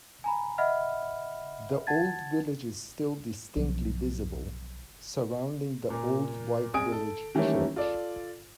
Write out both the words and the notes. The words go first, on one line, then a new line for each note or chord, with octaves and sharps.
The old village is still distinctly visible, surrounding the old white village church.
G#5 A#5 B5
D#5 E5 F#5 B5 F6
F#5 A5 G#6 A6
B1 F3
A#2 A#3
A#1 C4 G#5 D#6 D7
A4
D#3 E3 G3 A3 A#3 C#4
F4 A4 D5